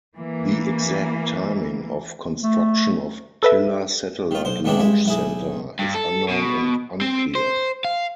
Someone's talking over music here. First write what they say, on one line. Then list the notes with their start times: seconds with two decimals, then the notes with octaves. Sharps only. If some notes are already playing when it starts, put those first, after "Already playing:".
The exact timing of construction of Tilla Satellite Launch Centre is unknown and unclear.
0.16 E3 A#3
2.43 A3
3.43 A4 B4 E5
4.31 D#3 F4
4.45 B1 C5
4.65 A2 D#3 G#3 C4 D4 E4
4.79 G2 G#3 E4
5.05 B1 E4 G#4
5.79 G2
5.94 A4
6.29 B2
7.01 C4
7.35 C5
7.85 F5